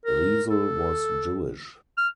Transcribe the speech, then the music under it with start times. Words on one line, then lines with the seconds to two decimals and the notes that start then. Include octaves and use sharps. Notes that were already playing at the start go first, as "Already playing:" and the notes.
Riesel was Jewish.
0.05 A#4
0.51 A4
1.97 F6